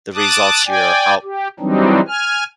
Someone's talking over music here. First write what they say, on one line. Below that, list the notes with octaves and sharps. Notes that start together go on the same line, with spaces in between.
the results you're out
A5 D6 D#6 F#6
D5 G5 G#5
G4
E3 F#3 G3 C4 D4 D#4
G#5 F6